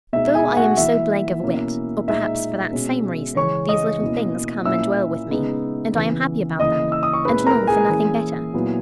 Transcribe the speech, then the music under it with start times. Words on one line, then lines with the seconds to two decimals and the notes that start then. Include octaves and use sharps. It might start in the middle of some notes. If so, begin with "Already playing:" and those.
Though I am so blank of wit, or perhaps for that same reason, these little things come and dwell with me, and I am happy about them, and long for nothing better.
0.13 B2 G#3 D#4 E5
0.35 G#4 G#5
0.57 F#4 F#5
0.77 E3 A#3 E4 E5
1.43 B2 A#3 C#4 E4
2.08 A#2 G#3 D#4 E5
2.73 B2 G#3 C#4
3.36 C#3 E3 G#3 C#4 C#5 C#6
3.69 D#5 D#6
4.01 B2 A#3 C#4 E4
4.65 A#2 A#3 C#4 E4 E5 E6
5.31 C#3 G#3 B3 D#4
5.95 C#3 E3 B3
6.60 C#3 E3 A#3 E4 D#5 D#6
6.92 E6
7.03 D#6
7.13 C#6
7.25 A#2 G#3 C#4 E4 B4 B5
7.47 A#4 A#5
7.67 G#4 G#5
7.89 E3 A#3 C#4 E4
8.54 A#2 F#3 B3 E4